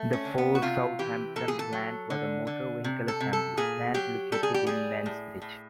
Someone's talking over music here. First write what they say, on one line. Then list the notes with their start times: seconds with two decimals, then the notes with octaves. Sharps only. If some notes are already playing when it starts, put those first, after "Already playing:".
The Ford Southampton plant was a motor vehicle assembly plant, located in Mansbridge.
Already playing: A3
0.13 C#4
0.25 D3
0.38 B3
0.55 F#4
0.62 C3 F4
0.99 E3 G4
1.36 A#2 A4
1.48 G#4
1.59 A4
1.73 F#3
2.10 D3
2.47 D3
2.84 C3
3.08 A4
3.20 C3
3.33 A4
3.57 A#2 G#4
3.94 F#3 G4
4.32 G3 A4
4.43 G#4
4.54 G4
4.67 G3 G#4
5.06 A2
5.42 A2